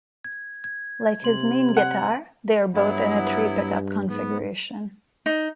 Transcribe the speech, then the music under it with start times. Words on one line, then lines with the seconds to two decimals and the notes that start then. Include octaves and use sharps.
Like his main guitar they are both in a three-pickup configuration.
0.25 G#6
0.64 G#6
1.24 C3 C6 F#7
1.77 F#5
2.74 G2 F#3 B3 E4
4.09 G#2 B3
5.26 D#4